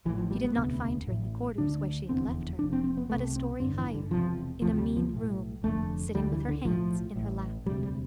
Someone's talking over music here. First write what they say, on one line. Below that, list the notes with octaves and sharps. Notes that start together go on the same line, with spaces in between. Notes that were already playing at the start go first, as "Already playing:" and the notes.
She did not find her in the quarters where she had left her, but a story higher, in a mean room, sitting with her hands in her lap.
A1 A2 E3
F3
G3
B3
E1 D2 C3 B3
A1 A2
D2 D3 D4
F1 E2 D3 C4
F1 F2 C3 D4
C4
C4
B3
C2 C3 A3
C4
A1 G2 D3 C4
E3
D3
E1 E2 C3 F3
D2 C3 F3
G3
F3
B1 A2
F1 F2 D3 A3
D2 D3 G3
E3
D3
B1 A2 F3
A1 A2
E1 D2 C3 G3
G3